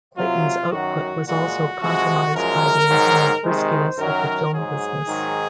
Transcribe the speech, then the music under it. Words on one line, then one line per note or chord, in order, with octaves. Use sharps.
Clayton's output was also compromised by the inherent riskiness of the film business.
C3 F#3 F4
F#2 D#3 F#3 F#4
A#2 G#3 F#4
C3 F3 G#3 F#4
F#2 F3 G#3 A#4
G#2 D#3 F#3
C3 D#3 G#3 C5
F#2 D#3 F#3 A#4
G#2 F#3 G#4
G#2 D#3 F#3